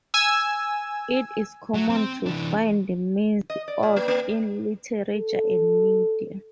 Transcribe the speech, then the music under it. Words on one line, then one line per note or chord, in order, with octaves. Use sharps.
It is common to find minced oaths in literature and media.
G#5 E6
F#3
C4
E3 D4
D#5
D5
A#2
A#3
A#3
A4